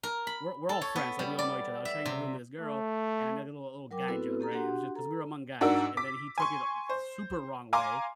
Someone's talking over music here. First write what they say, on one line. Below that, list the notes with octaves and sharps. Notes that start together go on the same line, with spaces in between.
we're we're all friends, like, we all know each other I was sharing a room with this girl, and I made a little a little guy joke, right? It was just 'cause we were among guys, and then he took it a the super wrong way,
A#4
B5
A4
C#5
B3
G3
D5
E5
C3
A3
F#3 A#4 G5 D6
B3 C4 E4 F#4 A4 B4
A#3 G4 A4 A#5
D4 F#4 G4 F#5 C6
A4 A#5
G#2 D4 F#4 A#4 E6
D6 B6
G#5 C6 C#6
C5
F5 G#5 A#5 C6 D6